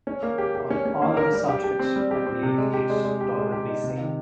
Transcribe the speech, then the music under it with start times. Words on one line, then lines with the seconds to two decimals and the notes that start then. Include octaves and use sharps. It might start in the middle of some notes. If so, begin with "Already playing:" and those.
On all other subjects I believe he is tolerably sane.
0.07 C#4
0.23 A#3
0.38 G4
0.55 G4
0.70 C#4
0.86 C#4
1.02 A#3
1.17 A#4
1.33 G3
1.49 G4
1.64 G4
1.79 C4
1.96 G3
2.11 G4
2.27 C4
2.43 C3
2.58 G#3
2.73 G4
2.90 G#3
3.05 G#3
3.21 G4
3.37 G#3
3.52 G4
3.68 D#4
3.84 C3
3.99 D#3